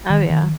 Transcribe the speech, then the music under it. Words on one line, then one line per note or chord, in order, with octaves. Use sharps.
Oh, yeah.
D#3
D#3